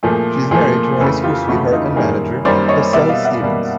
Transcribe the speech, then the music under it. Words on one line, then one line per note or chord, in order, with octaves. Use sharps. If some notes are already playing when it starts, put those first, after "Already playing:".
She is married to her high school sweetheart and manager, Lascelles Stephens.
A#2 F3 A3 G#4 A#4
A#2 F3 A3 G#4 A#4
F2 C#3 E3 A3 A4 B4
F4 G4
F2 C#3 E3 A3 E4 F#4
D#4 F4
F#2 D#3 G3 A#3 G#4 A#4
F#2 D#3 G3 A#3 C5 D5
C#5 D#5
B2 G3 A#3 D5 E5
D#5 F5
E5 F#5
B2 G3 A#3